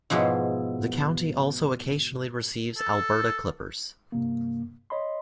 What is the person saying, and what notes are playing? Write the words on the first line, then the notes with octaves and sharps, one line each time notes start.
The county also occasionally receives Alberta clippers.
G#2 B2 F3 E4
A4
G2 C3 A#3
C#5 D#5 B5 C6